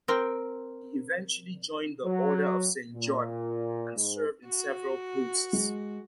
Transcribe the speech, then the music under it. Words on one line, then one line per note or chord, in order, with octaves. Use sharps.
He eventually joined the Order of Saint John, and served in several posts.
C4 A#4 G5
F#3
A#2
G#2
F#4
G#3